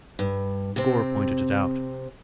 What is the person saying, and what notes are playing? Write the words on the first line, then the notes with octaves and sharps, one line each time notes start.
Gore pointed it out.
G2
C3 C4